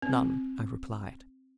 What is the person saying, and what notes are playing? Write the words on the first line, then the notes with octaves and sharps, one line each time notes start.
"None," I replied.
C4